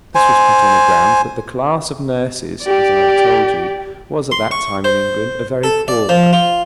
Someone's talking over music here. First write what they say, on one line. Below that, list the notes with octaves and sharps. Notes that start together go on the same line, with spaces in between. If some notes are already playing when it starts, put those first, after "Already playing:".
This was put on the ground that the class of nurses, as I have told you, was at that time in England a very poor one.
C5 G#5
G4 D5
C6
C#6
C5
A4
D5
F3
F4